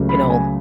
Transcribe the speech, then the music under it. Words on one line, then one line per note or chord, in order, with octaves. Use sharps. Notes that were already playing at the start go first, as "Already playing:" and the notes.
you know,
Already playing: C#2 C#3 F#3 A3
B5
G#5